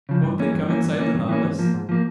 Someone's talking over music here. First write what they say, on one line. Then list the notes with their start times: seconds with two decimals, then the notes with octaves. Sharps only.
"Won't they come inside the Nautilus?"
0.09 C#3 F3
0.23 G2
0.39 E3 A#3 C#4
0.54 G2
0.69 E3 A#3 C#4
0.84 G2
0.99 E3 A#3 C#4
1.14 G2
1.29 E3 A#3 C#4
1.44 G#2
1.59 F3 A#3
1.74 G#2
1.89 F3 A#3